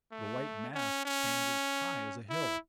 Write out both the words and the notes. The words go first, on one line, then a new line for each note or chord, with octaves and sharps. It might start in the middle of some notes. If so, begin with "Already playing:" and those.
"The white mast stands as high as a hill."
A3
C#4
C#4
E4